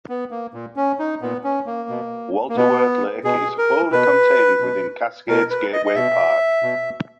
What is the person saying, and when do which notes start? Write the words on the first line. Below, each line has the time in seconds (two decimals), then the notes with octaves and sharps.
Walter Wirth Lake is wholly contained within Cascades Gateway Park.
0.09 B3
0.31 A#3
0.54 A#2
0.76 C#4
0.99 D#4
1.21 A#2 B3
1.44 C#4
1.66 A#3
1.89 B2
2.49 A#3
2.56 B2 B3
3.24 B2 G#4
3.58 A#4
3.92 B2 B4
4.60 B2
5.28 B2 A#4
5.50 B4
5.73 D#5
5.86 D#5
5.95 B2 E5
6.63 B2